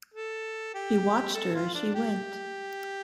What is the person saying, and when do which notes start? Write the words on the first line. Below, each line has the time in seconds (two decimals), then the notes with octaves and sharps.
He watched her as she went.
0.14 A4
0.75 G4
1.35 A4
1.55 F4
1.75 D4
1.95 G4